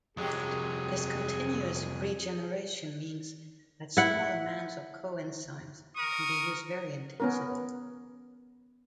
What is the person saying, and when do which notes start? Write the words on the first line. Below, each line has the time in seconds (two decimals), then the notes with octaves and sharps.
This continuous regeneration means that small amounts of coenzymes can be used very intensively.
0.17 C2 F2 F#3 G#3 G4 G#4
3.97 E4 F#5
5.96 A#4 C#6 D#6
7.20 B3 C#4 A#4